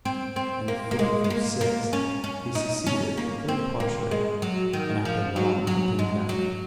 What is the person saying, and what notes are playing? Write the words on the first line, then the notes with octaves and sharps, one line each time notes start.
In the fifth or sixth he succeeded very partially, and after long continued effort.
C4
C4
A#3
A#3
G#3
G#3
A#3
A#3
C#4
C#4
D#4
C#4
A#3
C4
A#3
G#3
F#3
D#3
F3
F#3
F#3
G#3
F#3